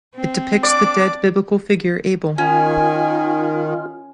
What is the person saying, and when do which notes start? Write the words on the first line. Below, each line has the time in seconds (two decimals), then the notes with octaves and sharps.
It depicts the dead biblical figure Abel.
0.15 C4
0.63 D4 D5 D6
2.38 D#3 C#4 F4 G#5